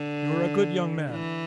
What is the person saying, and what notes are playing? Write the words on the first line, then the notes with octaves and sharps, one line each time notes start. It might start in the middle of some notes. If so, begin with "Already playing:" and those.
You are a good young man.
Already playing: D3
E3